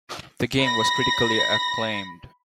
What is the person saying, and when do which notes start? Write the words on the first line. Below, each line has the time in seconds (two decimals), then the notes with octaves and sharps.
The game was critically acclaimed.
0.60 B5 A#6